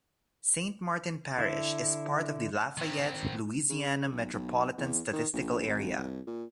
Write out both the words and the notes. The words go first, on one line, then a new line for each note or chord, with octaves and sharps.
Saint Martin Parish is part of the Lafayette, Louisiana Metropolitan Statistical Area.
D3 E4
D#3 C4
C#3
B1
B1
E2
D#3
A#1
G#1
C2
A#2